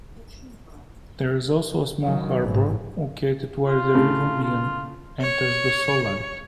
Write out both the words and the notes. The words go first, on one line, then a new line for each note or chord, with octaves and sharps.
There is also a small harbour, located where the River Meon enters the Solent.
D#3 F#3
G#1 A2
F4
A2 C#3
F4
C#5